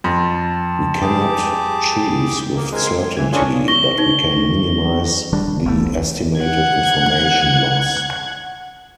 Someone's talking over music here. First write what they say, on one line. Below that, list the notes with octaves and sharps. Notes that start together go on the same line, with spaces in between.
We cannot choose with certainty, but we can minimize the estimated information loss.
F2 A5
G4 G#4 D6
A#3
G#3 C4 A#4 G#6
C6
C2 E3 G#6
C#4 D4 F4 G#4 C#6
C#6 A#6 G7
D#4
D#1 D#3 G3 D4
D#1 C2 C3 A3
C2
F#5 G#6